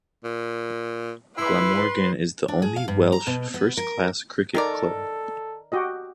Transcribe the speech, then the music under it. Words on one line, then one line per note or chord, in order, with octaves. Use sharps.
Glamorgan is the only Welsh first-class cricket club.
A#2
E4 B4 C6
D4
G#4
F5
G2
A#5
B2
B3
A#4
D#3 A4 A#4 D5
F#4 G4 D#5